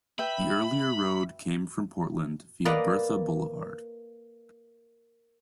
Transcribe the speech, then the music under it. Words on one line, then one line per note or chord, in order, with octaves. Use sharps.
The earlier road came from Portland via Bertha Blvd.
B4 E5 G5 B5
A#3 B4 D5 D#5 F#5 A#5